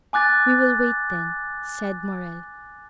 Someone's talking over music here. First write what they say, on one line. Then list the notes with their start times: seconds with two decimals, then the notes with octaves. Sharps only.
"We will wait, then," said Morrel.
0.13 G#5 D6 F#6 A6